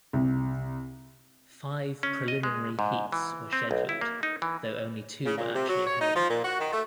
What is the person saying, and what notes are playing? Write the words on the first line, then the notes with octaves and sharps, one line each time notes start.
Five preliminary heats were scheduled, though only two were actually held.
C2
C#4
D#5
G#3
G#2
E3
C4
B1
E4
A#3
D#4
E3
C#3
A#2
C3
F#3
C#5
D#4
F3
A#2
F#4
D#3
A3